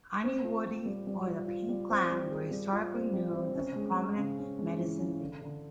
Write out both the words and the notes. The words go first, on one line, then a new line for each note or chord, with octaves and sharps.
The Aniwodi or the Paint Clan were historically known as a prominent medicine people.
C4
F4
F4
G3
G3
F4
F4
G3
C4
G3
G#4
G3
F4
C4
G3
C4
C#4
G#3
G#3
C#3
C#4
G#3
E3
C#4
D3
D3